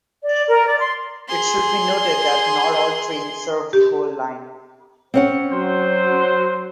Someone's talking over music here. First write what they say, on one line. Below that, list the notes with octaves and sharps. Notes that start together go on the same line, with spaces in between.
It should be noted that not all trains serve the whole line.
D5
A#4
D5
C6
G#4 C6
G4
C4 C#4 F#5
F#3 C5